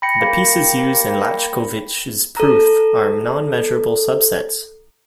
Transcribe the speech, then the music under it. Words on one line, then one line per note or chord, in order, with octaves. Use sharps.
The pieces used in Laczkovich's proof are non-measurable subsets.
G5 B5 A#6 C#7
A#3
A4 A#5